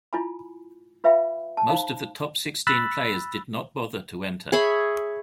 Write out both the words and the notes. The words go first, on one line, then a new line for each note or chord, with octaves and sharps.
Most of the top sixteen players did not bother to enter.
E4 F4 G#5 B5
F4 B4 E5 F5 G5 B5
A5
D#4 C5 F5 B5
B5 E6 F#6 A6
G#4 C#5 E5 B5